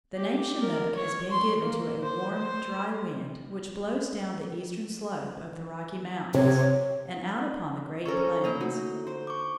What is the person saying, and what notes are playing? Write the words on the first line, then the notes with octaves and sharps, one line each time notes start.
The name "chinook" has been given to a warm, dry wind which blows down the eastern slope of the Rocky Mountains and out upon the Great Plains.
G4
A#4
C#5
C6
A#3
C5
C5
C3 C#5
C#4 A4 A#4 C5 C#6
A#3 E4 D#5 A#5
A3 D#4 F#4
D3
C5
C#6 D6